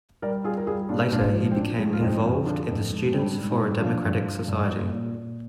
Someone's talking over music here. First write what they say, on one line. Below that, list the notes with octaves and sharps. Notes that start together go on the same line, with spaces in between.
Later he became involved in the Students for a Democratic Society.
G3 A#4 D5
G3 F4 G#4
A#4
G3 F4 G#4
A#2 D4 F4
G#2 D4 F4
F3
C4
F3 D4
G#3
F4
F2 C4 D#4
F2
D3 D4 F4
F2
G#2
G3 C4
D4
G#2
C4 D#4
G3
F3 D4 F4
G2
F3
G2
A#2
A#2
A#2